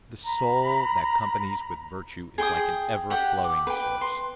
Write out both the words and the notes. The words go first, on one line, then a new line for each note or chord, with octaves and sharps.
The soul that companies with Virtue is like an ever-flowing source.
A#5 B5
G#4 G5 C6 D#6
G4 F#5 G5
D6
B4 G5
C6